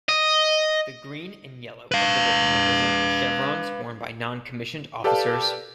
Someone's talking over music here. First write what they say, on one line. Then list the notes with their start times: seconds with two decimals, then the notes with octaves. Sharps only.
The green and yellow of the ribbon represent the chevrons worn by noncommissioned officers.
0.09 D#5
1.92 B4 F5
5.04 G4 A4 B4 D5 F5 A5